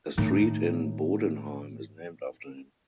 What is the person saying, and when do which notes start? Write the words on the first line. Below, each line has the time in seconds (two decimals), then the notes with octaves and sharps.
A street in Bodenheim is named after him.
0.18 A2 D#3